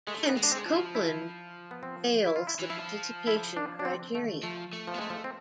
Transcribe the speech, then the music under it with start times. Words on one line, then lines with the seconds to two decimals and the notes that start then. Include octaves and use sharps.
Hence, Copeland fails the Participation criterion.
0.07 G#3 A3
0.29 B3
0.37 G#3
0.43 D4
0.51 C4
0.56 G#3
0.65 F3
0.72 E4
0.95 E4
1.71 B3
1.83 C4
2.26 E4
2.36 F4
2.47 E4
2.60 E3
2.70 F3 E4
3.27 E4
3.57 D4
3.79 D4
3.85 C4
4.15 A3
4.43 F3 A3
4.73 A3
4.87 F3
4.94 B3
4.98 G#3 A3
5.10 F3
5.24 C4